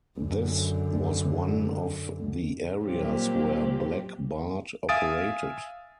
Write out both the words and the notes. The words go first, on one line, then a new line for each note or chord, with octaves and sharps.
This was one of the areas where Black Bart operated.
F#2 D3
A#2 F#3 G3 A#3 C4 G4
E5 F5 G#5 D#6 A6 D7